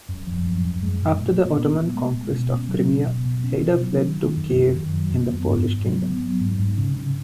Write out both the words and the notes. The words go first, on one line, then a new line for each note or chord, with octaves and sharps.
After the Ottoman conquest of Crimea, Hayder fled to Kiev in the Polish Kingdom.
F#2
F3
F#2
F#2
G#3
A#2
A#2
B3
A#2
B3
G#3
A#2
B2
C#4
F#3
B2
B2
B2
C#4
B2
F#3
D#3
D#3
F#2
F#2
D#3
F#3
F#2
B3
G#2
G#2
F#3
B3
F#3
G#2
G#2
C#3
C#3